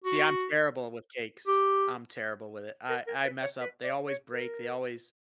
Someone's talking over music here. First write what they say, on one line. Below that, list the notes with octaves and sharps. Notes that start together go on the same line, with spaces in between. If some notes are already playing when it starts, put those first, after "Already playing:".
See, I'm terrible with cakes. I'm terrible with it. I I mess up. They always break, they always
F#4
G4
A#4
A#4
B4
C#5
B4
D5
C#5
A#4